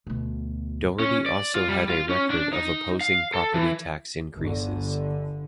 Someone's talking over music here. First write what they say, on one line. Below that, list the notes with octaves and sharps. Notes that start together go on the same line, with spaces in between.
Doherty also had a record of opposing property tax increases.
D2 B2
C#4
D5
F4
G3
F4
C#4
D4
D#4
F5
A4
E3
G1 D3